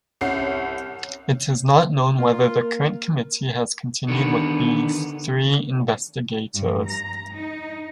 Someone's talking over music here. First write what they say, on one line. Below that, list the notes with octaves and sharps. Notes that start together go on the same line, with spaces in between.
It is not known whether the current committee has continued with these three investigators.
C2 C#4 F#5 C7
A#3 F4 A#4
D3 D#3 B3
G2
A#5
D#4